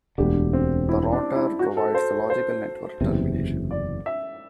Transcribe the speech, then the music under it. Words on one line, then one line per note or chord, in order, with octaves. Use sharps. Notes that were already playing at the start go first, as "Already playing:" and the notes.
The router provides the logical network termination.
E1 D2 D3 G4
C4
E4
D4
E4
F#4
A4
C5
C5
F#1 E2 C3
D5
E5